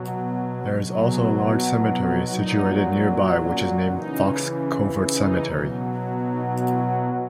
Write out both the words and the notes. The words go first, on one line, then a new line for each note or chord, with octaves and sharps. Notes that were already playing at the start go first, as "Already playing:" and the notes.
There is also a large cemetery situated nearby which is named Fox Covert Cemetery.
Already playing: B2 F#3
B2 F#3
G#4
F#4
E4
A#2 F#3 D#4
C#4
C#3 E3 D#4
D#4
B2 F#3
D#4
E4